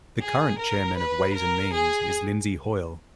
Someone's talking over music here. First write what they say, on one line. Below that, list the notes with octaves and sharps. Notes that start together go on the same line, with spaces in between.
The current Chairman of Ways and Means is Lindsay Hoyle.
G#4
A#4
B4
A#4
G#4